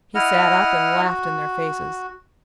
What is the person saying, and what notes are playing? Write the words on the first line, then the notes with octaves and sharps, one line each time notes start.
He sat up and laughed in their faces.
E4 D#5 F#5 F6
F#4